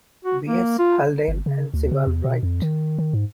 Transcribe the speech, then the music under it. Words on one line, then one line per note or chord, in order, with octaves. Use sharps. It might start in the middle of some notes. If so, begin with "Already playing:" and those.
B. S. Haldane and Sewall Wright.
F#4
A#3
F4
G1
C#3
D2
C#3
E2
B2
F2
D#3
D#3
G#2